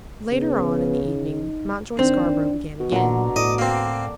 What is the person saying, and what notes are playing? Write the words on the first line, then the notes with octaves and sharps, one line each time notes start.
Later on in the evening Mountjoy Scarborough began again.
C#3 B3
D#4
D#3 C4 D4
B2
A#2 D3 A#5
A2 D5 D#5
A#3 C4